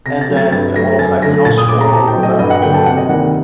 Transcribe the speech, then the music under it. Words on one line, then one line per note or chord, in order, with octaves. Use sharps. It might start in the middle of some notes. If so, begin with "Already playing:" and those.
and then I was, like, "How spoiled was I," you know.
C3 A#6
A6
F#3 A3
A6
G2 A6
F#3 A3 A#6
F#2 A6
D3 A3 A#6
A#2 A6
D#6
A3 D6
A#5
A2 A5
G5
F#3 A3
D#5
G2 D#5
F#5
D3 F#3 A#3 G5
A5
C3 F#5
D#5
D#3 G3 A#3 F#5
F#5